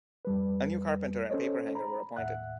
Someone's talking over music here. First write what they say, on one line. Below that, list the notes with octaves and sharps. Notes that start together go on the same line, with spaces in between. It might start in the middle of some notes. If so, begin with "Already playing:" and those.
A new carpenter and paper-hanger were appointed.
F2 G3 B4
C#4 A4 C5 C#5 D#5
A#5 B5
D#2 A2 E5 F#5 F#6